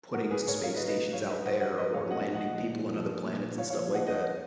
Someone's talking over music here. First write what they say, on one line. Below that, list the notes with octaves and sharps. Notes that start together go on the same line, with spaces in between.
putting space stations out there or landing people on other planets and stuff like that?
G#2 F#4 A#4
G#2 G#4 B4
G#2 A#4 C#5
F#3 C#5 F5
B4 D#5
F#3
B4 D#5
G#2
F#3 C#5 F5
F#3 B4 D#5
G#2 D#5 F#5
F#3 D#5 F#5
F#3 B4 D#5
G#2 C#5 F5
A#2 D#5 F#5
F3
D#5 F#5
F3
A#2
A#2
F3
A#2
A#2
F3
A#2 C#5 F5
C#5 F5
F3
F3 D#5 F#5
F2 D#5 F#5